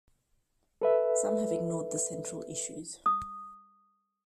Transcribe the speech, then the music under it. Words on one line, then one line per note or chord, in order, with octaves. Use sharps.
Some have ignored the central issues.
A4 B4 E5
D#6